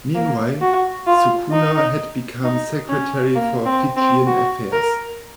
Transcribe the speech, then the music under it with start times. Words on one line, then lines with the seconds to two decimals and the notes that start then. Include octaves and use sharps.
Meanwhile, Sukuna had become Secretary for Fijian Affairs.
0.15 A#3
0.62 F#4
1.07 F4
1.52 D#4
2.44 D#4
2.89 C#4
3.35 A#3
3.65 C4
3.97 C4
4.27 F#4
4.72 A#4